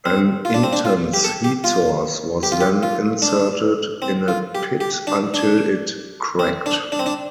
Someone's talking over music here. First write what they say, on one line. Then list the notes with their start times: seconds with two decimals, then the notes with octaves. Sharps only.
An intense heat source was then inserted in a pit until it cracked.
0.05 C4
0.45 F4
0.54 D4
0.64 C4
0.73 D4
0.85 F4
1.14 G4
1.24 A4
1.44 G4
1.64 F4
2.43 G4
2.52 F4
2.61 G4
2.83 F4
3.22 D4
4.02 C4
4.28 F4
4.55 G4
4.81 G4
5.07 D4
5.34 D4
6.39 C4
6.66 D4
6.92 D4
6.99 C4
7.06 D4